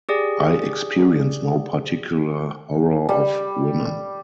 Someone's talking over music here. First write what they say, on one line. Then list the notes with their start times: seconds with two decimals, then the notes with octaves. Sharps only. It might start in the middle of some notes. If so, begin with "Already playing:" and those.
I experience no particular horror of women.
0.09 G4 G#4 D5
3.09 G3